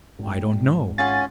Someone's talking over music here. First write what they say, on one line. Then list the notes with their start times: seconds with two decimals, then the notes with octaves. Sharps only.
"I don't know."
0.19 G#1 G5
0.98 C#4 F4 G#4 F#5 A6